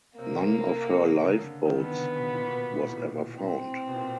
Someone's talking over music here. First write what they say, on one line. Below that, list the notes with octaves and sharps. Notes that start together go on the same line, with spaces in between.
None of her lifeboats was ever found.
C3 A#3
C#3
D3
D#3
D3 B3
D3
C#3
B2
A#2
B2
A#2
A2
C4
B2
A#2